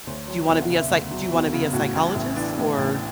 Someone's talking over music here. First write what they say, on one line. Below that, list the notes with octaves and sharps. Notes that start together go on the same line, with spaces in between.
Do you wanna be a psych do you wanna be a psychologist? Or
D2 C#5
F#3 C#5
E1 E5
F#5
C#3
E5
D2
F#3
E1 F#4
C#3
A2 F#4
A1
A1 E4
E3 D4
A2
A1